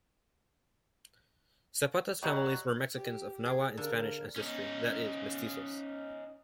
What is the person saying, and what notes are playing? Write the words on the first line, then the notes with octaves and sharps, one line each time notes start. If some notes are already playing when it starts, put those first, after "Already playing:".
Zapata's family were Mexicans of Nahua and Spanish ancestry, that is mestizos.
F#3 G3 D#4
G4
G#4
D3 A#4 F5
C#4 D#4